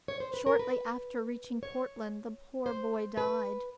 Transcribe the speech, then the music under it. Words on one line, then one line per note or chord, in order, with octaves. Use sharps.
Shortly after reaching Portland the poor boy died.
C#5
C5
B4
A#4
B4
C#5
C5
B4